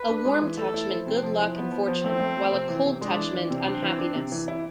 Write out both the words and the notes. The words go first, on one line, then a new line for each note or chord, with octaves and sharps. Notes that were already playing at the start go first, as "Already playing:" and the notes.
A warm touch meant good luck and fortune, while a cold touch meant unhappiness.
Already playing: B4
D4
G#3
E3
A3 A4
E4
F3
C3 C4
F3
E4
F3 B3
F3
F3
A3 C4
A3
F3
C3
E3
C3
G#3 D4
E3
E3
C3 C4
D4
E3
D4
C3
E3
E4